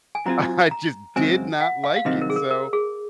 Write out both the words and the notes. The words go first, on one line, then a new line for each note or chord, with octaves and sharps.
I just did not like it, so
G#5
F#3 C4 F4 G#4 A#5
A#5
F#2 C#3 G#3 C4 F#4 G#5
F#5
F5
F5
C2 C3 D#3 F#3 C4 D#5
A#4
G#4
A#4
A#4
G#4